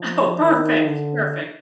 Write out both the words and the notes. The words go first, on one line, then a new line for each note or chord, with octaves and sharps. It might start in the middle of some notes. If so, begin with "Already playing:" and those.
Oh, perfect, perfect.
Already playing: F3
D#3
D3